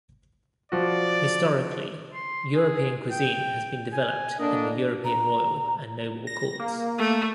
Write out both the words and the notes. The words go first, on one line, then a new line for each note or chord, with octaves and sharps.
Historically, European cuisine has been developed in the European royal and noble courts.
F3 F#4 D5
C6
G#4
G5
G#5
D3 A#3 D4 D#5
A#5
A#6
A#3
A3